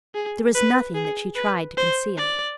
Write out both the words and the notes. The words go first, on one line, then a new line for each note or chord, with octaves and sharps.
There was nothing that she tried to conceal.
G#4
B4
G#4
B4
C5
D5